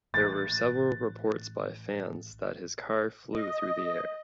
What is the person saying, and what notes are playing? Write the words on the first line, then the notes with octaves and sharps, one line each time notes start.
There were several reports by fans that his car flew through the air.
A1 F#6 A6
D#5